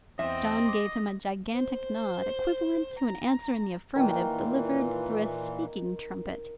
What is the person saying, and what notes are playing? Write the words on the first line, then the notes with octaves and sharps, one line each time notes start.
John gave him a gigantic nod: equivalent to an answer in the affirmative, delivered through a speaking trumpet.
E2 C4 D#5 E5
C6 D6
C5
A#5
A#2 D#3 E3